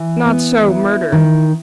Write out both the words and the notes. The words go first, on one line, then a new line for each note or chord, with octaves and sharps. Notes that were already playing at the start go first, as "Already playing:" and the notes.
Not so, murder.
Already playing: E3
B3
E4
D#3